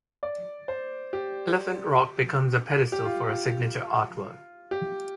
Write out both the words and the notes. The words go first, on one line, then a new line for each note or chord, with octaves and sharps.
Elephant rock becomes a pedestal for a signature artwork.
D5
C5
G4
G4
F4
F4
G4